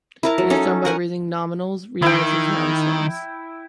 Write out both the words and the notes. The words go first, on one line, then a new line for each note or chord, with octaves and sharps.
It is done by raising nominals realized as noun stems.
E4 A#4 A5
F#3
C#4 D#4 A4
A#4 F#5 G#5
D#3 E4 G5